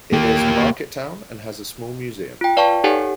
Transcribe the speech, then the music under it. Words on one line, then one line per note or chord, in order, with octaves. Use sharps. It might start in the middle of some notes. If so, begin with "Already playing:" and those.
It is a market town and has a small museum.
A#3 G4
F4 G5
B4 D5 F5 G5 A5 C#6
D#4 G4 A4 C#5 F#5 G#5